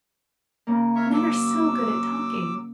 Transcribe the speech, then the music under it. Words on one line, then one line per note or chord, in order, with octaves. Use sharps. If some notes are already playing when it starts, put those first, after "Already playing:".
Men are so good at talking!
C#3 A#3
A#4 C#5 E5 C#6
F#3 D6 E6